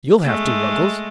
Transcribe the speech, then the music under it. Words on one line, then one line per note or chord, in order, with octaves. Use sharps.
You'll have to, Ruggles.
G#3 A3